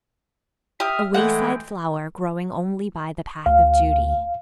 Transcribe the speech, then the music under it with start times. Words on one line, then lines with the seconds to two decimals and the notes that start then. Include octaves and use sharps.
A wayside flower growing only by the path of duty.
0.80 G4 E5 D#6 F6
1.14 E3 G#3 A3 F#5 G5
3.46 D2 F5